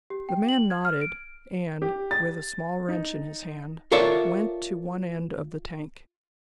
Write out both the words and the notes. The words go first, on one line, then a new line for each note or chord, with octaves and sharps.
The man nodded, and, with a small wrench in his hand, went to one end of the tank.
G4
G5
F#7
G#6
F6
D7
G4
A6
D#4
F4 A4 A#4 C#5 D5 E5